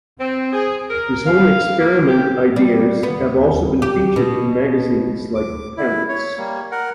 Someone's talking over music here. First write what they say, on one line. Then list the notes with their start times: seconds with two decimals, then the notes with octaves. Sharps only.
His home experiment ideas have also been featured in magazines like Parents.
0.21 C4
0.53 G#4
0.89 A#4
1.27 F5
1.78 A#3
2.07 G4
2.56 G3
3.03 B3
3.82 G4
4.16 B2
5.35 D6
5.77 E4
6.09 C#5
6.37 G3 A#3
6.72 A#4 F#5